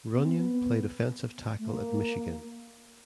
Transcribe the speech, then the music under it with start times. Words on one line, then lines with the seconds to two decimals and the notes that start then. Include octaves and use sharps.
Runyan played offensive tackle at Michigan.
0.14 B3
0.22 C4
0.31 B3
1.59 A3
1.69 A#3